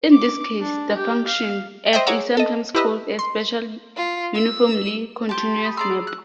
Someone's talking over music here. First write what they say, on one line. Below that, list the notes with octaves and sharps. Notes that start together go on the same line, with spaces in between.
In this case, the function "f" is sometimes called a "special uniformly continuous" map.
D6
D4
G4
F5
C5 D#5 E5 G5
G#4 C#5 F#5 A#5 D6 E6
A4 D#5
E4 G4 B4 D#5 E5
C6
F4
E6
G4 A5 C6
B5 D#6
G#4 D5 A#5 C6 E6
F#6